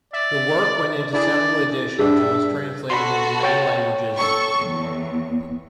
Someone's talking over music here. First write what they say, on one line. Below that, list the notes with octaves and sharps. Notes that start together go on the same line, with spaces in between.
The work went into several editions and was translated into many languages.
D5 E5
D4 E4 G#4 D5
G2 D4 G4 G#4 E5
F#4 A4 B5 C6
C#5 G5 A6
A4 C#6
E2